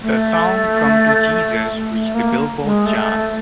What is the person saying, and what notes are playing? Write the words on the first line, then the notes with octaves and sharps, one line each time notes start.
The song "Come to Jesus" reached the "Billboard" charts.
A3
A3
A#3
G#3
A3